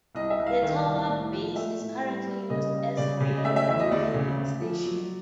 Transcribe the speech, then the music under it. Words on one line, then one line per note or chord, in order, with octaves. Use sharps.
The tower base is currently used as radio relay link station.
C2 D#5
E5
C2
F5
D#3 F5
C2
A2
F3
A3 E5
A2
G3
G3
C#3 D#5
G3
C#3 D5
C#3
D#5
A3 E5
E5
E2 E5
D#5
D2 D5
C#3
D2
F3
F#3